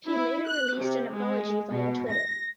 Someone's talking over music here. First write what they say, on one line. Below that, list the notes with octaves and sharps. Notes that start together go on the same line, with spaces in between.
He later released an apology via Twitter.
E4
F#6
C3
G#3
B2
A#6